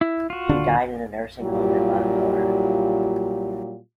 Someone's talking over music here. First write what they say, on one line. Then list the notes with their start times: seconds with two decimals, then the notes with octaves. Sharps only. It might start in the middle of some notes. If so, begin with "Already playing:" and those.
He died in a nursing home in Bangor.
0.01 E4
0.30 F4 F#4
0.49 D#1 D3 D4
1.41 A#2 F#3 G3 E4 F4 G4